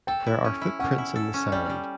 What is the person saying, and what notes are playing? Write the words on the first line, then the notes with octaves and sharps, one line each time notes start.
There are footprints in the sand.
A4 G5
E4
C#4
E4
C#4 F#5
E4
A4
C#4
G3 D5
G3